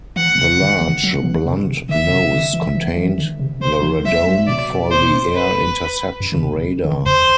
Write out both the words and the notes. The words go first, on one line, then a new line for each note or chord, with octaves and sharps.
The large, blunt nose contained the radome for the air-interception radar.
E3 F#5
C3
D3
E3
F#3
E3
C3
C3
D3 E5
C3
D3
E3
E3
E3
D3
C3
C3 C5
E3
F#3 E5
F#3
B2 D5
C5
B4
F#2
D3
C3
D3
E2 C5